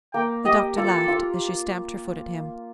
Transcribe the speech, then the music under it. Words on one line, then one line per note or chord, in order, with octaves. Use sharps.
The Doctor laughed, as she stamped her foot at him.
A#3 G5
G4 D#5
F4 A4
F4